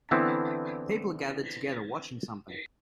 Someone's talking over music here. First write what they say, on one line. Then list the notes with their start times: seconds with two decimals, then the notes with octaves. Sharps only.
People are gathered together watching something.
0.11 D3 E3 B3 C4 D4 E4